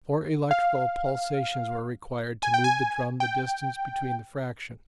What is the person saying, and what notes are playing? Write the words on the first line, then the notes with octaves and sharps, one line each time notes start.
Four electrical pulsations were required to move the drum the distance between the fractions.
F5
G#5
G5
G#5
G5